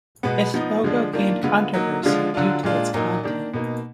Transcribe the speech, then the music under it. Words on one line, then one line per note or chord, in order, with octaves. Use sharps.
This logo gained controversy due to its content.
B2 G#3 B3
F3 B3 D#4
D3 F3 G#3 D4
D#3 A#3 D4 F4
D3 G#3 B3 F4
F#3 A#3 D#4
D3 F3 G#3 D4 F4
D3 F#3 D4 F4
A#2 G#3 D4 F4
A#2 F#3 A#3 D#4
D#3 A#3 D4
B2 A#3 D#4